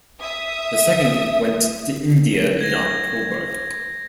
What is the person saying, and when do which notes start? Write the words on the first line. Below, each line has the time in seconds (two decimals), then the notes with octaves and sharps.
The second went to India in October.
0.21 E5 D#6
2.61 G#6 A#6